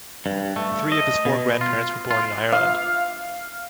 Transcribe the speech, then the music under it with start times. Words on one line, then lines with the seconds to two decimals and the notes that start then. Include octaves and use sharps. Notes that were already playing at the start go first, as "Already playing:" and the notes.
Three of his four grandparents were born in Ireland.
0.26 G2
0.56 A3
0.92 D#5
1.25 B2
1.61 F4
2.11 F4
2.52 F5